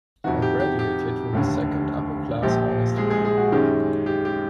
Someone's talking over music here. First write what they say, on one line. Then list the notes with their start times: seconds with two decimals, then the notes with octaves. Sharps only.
I graduated with a second upper-class honours degree.
0.24 F2 C3 D#3 F#4
0.42 G4
0.60 G4
0.79 G4
1.33 F1 D#2 D3
2.42 A#1 A#2 F3 G4
2.97 G#3 G#4
3.10 G#3 G#4
3.25 G#3 G#4
3.38 F#4
3.52 F#2 D#3 G#3 C#4 G4
4.06 G4
4.25 G4